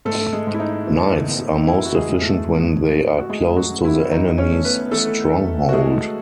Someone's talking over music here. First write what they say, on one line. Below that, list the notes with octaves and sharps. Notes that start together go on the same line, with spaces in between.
Knights are most efficient when they are close to the enemy's stronghold.
G#2 A3 A4
G#3 G#4
G#2
E4
D#4
E3
B3
E3 E4
F#4
G#3 G#4
G#2
A3 A4
G#2
E3
F#4
G#3 A3 G#4
F#3 F#4
F#2
E4
E3 D#4 D#5
C#4 C#5
A3
B3 B4
E3 A3 A4
A3
F#4
G#3 A3 G#4